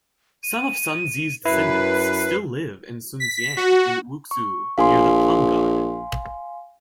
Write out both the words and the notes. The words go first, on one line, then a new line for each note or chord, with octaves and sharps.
Some of Sunzi's descendants still live in Sunxiang in Wuxi near the Plum Garden.
D#7
F#2 E4 B4 C7
B6
F#4
C#6
A#1 F5 G#5 C6